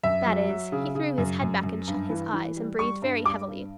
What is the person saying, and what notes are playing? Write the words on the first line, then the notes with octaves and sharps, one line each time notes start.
That is, he threw his head back and shut his eyes, and breathed very heavily.
F#2 E5
F#3
F#3
C#3
C#3
F#2
F#2
F#2
G2
E3
E3
G3
G3 C#6
G2
G3 D6
G2